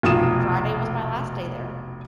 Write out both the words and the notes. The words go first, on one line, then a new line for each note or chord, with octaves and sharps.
Friday was my last day there
F1 B1 F4 D#6 E7